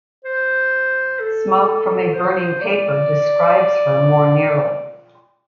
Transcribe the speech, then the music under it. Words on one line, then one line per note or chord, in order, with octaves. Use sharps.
Smoke from a burning paper describes her more nearly.
C5
A4
C5
D5